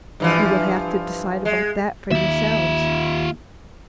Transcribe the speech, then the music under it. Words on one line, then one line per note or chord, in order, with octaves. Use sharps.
You will have to decide about that for yourselves.
G2 E3 F3
G#3
D#2 F4 E5